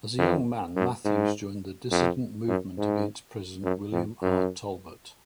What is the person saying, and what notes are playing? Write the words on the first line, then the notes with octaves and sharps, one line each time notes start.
As a young man, Matthews joined the dissident movement against President William R. Tolbert.
F2
F#2
G#2
F2
F#2
G#2
F#2
F2
F#2